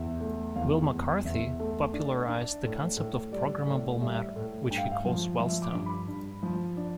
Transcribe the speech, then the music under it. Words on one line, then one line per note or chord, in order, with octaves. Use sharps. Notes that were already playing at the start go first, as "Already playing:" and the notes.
Wil McCarthy popularized the concept of programmable matter, which he calls "wellstone".
Already playing: E2 E5
A3
E2 F5
E2
E2 E5
A3
D4
D4
A2
A2
G3 D5
A2
G3 E5
A2
G2 G5
F5
E5
F5
F3
F3 E5
D6
G2
B5
G2
F3
D4